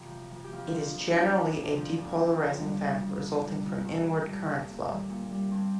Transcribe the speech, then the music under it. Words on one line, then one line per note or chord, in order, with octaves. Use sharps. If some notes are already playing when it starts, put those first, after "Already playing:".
It is generally a depolarizing event resulting from inward current flow.
Already playing: F2 C3
F3
F2
G4
F2 F3 F4
F3
D4
F2 C4
D4
F3
F2 D4
D3
D4
F3
C4
F2 D4
C4
F2 C4
D3
G3
F2
F2
D3
G3
F2
G2
D3
G3
G2
A#2
G3
A#2
G3
G2 C4